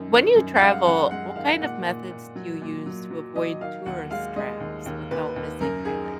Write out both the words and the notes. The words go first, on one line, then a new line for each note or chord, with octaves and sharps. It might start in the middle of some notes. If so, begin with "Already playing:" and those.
When you travel, what kind of methods do you use to avoid tourist traps without missing highlights?
Already playing: F#2 D#3
D#3
F#2
F#5
G#3 F5
F#2 F#5
G#3 F#5
D#3 F5
A#2 F#5
A#2
A#2
F#3
A#2
F#3
F#3
F#3 D#5
D#3 F5
D#2 F#5
G#3 F5
G#3 D#5
D#2
D#2
D#2 B4
D#2
F#2 A#4
D#3 G#4